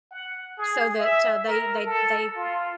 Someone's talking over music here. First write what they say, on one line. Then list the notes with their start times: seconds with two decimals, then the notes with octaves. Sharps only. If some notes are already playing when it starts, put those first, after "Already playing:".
so that, uh, they they they
0.11 F#5
0.58 G#4
0.99 E5
1.47 A#4
1.86 A4
2.36 F4